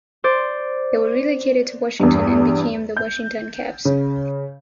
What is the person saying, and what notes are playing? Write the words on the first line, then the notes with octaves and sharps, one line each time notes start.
They were relocated to Washington and became the Washington Caps.
C5 D5
E2 G2
G6
C#3